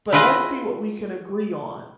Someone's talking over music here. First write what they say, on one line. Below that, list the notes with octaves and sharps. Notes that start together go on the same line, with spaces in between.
but let's see what we can agree on,
E4 F4 G#4 B4 D#5